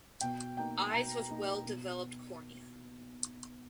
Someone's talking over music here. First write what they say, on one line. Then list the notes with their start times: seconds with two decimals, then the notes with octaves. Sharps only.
Eyes with well developed cornea.
0.21 B2 G5
0.57 A#3 D#4 G5
0.93 B2 A#5
1.29 A#3 D#4
1.64 B2